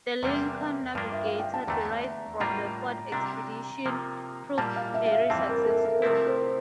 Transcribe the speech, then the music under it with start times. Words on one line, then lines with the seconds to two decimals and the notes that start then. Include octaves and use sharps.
The Lincoln Navigator, derived from the Ford Expedition, proved very successful.
0.23 E2 C3 G3 A#3 D4
0.95 G2 F3 A#3 D4
1.12 E5
1.26 F5
1.40 G5
1.54 A5
1.67 E2 D3 A3 A#5
2.40 A2 G3 A#3 D4 F4 A#5
3.12 C3 G3 D4 A#5
3.86 C3 F3 A#3
4.58 A#2 G3 A#3 A5
4.76 F5
4.94 E5
5.06 E5
5.12 F5
5.30 F2 E3 G3 C4 A5
5.49 A#4
5.66 A4
5.77 A4
5.85 A#4
6.02 C3 F3 A3 C4 E4 A#4
6.27 C5